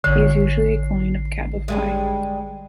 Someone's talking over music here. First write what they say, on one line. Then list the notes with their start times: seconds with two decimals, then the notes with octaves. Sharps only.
He is a usual client of Cabify.
0.04 A1 D3 C#4 C7
1.68 G2 G3 G#3